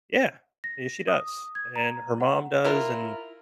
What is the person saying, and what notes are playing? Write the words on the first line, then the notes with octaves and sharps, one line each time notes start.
Yeah, yeah, she does. And her mom does and
A#6
D#6
G#6
A#5
F#5
E4 F4 A#4